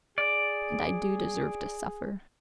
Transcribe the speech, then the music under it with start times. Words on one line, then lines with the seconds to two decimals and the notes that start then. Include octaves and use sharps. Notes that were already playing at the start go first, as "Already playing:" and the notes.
And I do deserve to suffer.
0.18 G#4 D5